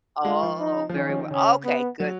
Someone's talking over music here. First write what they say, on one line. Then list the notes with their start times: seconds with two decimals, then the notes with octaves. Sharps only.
Oh, very w okay, good.
0.25 G#3 F4
0.43 F3
0.60 D#4
0.90 F3
0.95 D#3 C#4
1.09 F3
1.19 D#3
1.30 C#3 C#4
1.64 B3
2.00 F#3